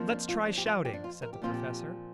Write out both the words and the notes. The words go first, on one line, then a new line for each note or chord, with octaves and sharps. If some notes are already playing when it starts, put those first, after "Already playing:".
"Lets try shouting," said the Professor.
Already playing: F2 F3 A#3
D4
F4
D4
G4
F4
G4
D4
F4
A#4
G4
A#2 F3 C4 F4
G4